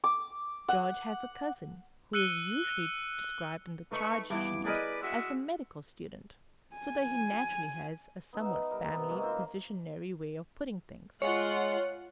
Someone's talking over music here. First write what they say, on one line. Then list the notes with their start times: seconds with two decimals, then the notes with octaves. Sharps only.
George has a cousin, who is usually described in the charge-sheet as a medical student, so that he naturally has a somewhat family-physicianary way of putting things.
0.04 D6
0.68 F#5
2.13 E6 F#6 C#7 D#7 G7
3.92 A3 D#4 B4 C#6
4.30 G2 E3 B3 D6
4.65 G#4 A#4 B4 D5 D#5
5.01 G#3 F#4 E5
6.76 G#5
8.33 B3 D#4 E5
8.46 F#5
8.71 G3 A#4
8.91 C3 B3
9.10 G#3 A#3 F#4
9.21 D#3 C4 F4
11.22 G#3 F4 C#5 F#5